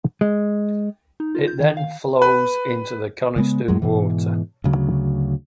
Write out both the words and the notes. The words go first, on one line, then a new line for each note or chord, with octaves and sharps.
It then flows into the Coniston Water.
G#3
D#4
F4
G6
D#3
F5
B4
C#3 G#3 B3
F#2 F#3 G#3
G#2 B2 E3
D2 C#3 F#3